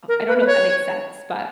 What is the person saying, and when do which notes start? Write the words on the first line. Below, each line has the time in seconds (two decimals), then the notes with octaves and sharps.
uh, I don't know if that makes sense, but
0.08 A#4
0.28 B4
0.40 B4
0.47 C#5